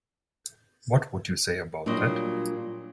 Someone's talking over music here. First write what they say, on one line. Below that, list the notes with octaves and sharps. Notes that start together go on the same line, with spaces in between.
What would you say about that?
A#2 F#3 G3 D4 C5 D#5